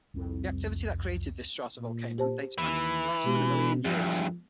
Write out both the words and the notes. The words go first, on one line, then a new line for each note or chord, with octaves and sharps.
The activity that created this stratovolcano dates back less than a million years.
C2 F2
A#2
G4 C5 A5
D#2 E3
B2 G#3 B3 G4
E2 G2 F3